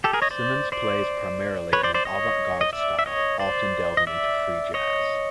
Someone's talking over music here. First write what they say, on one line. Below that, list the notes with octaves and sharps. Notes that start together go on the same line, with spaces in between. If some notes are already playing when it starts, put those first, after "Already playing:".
Simmons plays primarily in an avant-garde style, often delving into free jazz.
G4 A4
G#4 A#4
C#5 D#5
C5 D5
C5 D5
B4 C#5
C5 D5
C5 D5
C#5 D#5
D#5
D5 E5
E5
C#5 D#5
C5 D5
D#5
D5 E5
C#5 D#5